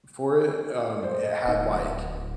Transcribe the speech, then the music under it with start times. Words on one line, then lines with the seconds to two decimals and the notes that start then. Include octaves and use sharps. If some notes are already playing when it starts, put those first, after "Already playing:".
for it, um, it had, like
1.01 C5 D5
1.23 D#5
1.46 D1 D#4 D#5